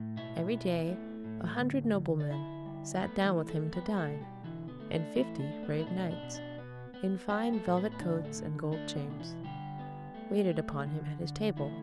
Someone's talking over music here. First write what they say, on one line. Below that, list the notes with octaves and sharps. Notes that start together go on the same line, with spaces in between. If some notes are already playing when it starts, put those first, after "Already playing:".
Every day a hundred noble men sat down with him to dine; and fifty brave knights, in fine velvet coats and gold chains, waited upon him at his table.
Already playing: A2
B2 E4 E5
B3
A3
A2
D3
D3
D5
D3 E4 E5
G3
A3 B3 B4
E3 E4
E3
A3 A4
G3 B3 B4
A3 A4
B2
G3 G4
D3 E3 E4
B3
A3
D4
E3 A3 E4
D4
A3
B3
E4
B2 D4
D4
B2
D4
B3
B3
G3 B3 G4
A3 A4
A2
B3 B4
B4
D3 D4 D5
A3 A4
D3
A3 D4
B3
B2 D4
E3 E4
D3 G3 G4
B3
A3
A3
D3
D3
E3 A3 E4